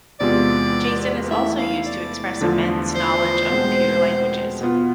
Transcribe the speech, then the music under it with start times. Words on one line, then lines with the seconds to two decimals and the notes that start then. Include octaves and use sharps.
Jason is also used to express Amend's knowledge of computer languages.
0.20 E2 C3 G#3 B3 F4 D5
1.31 E3 A3 E4 E5
1.58 F5
1.86 D5
2.41 E2 D3 F3 A3 D4
2.95 C5
3.50 B2 G#3 C4
4.61 B2 B3 F4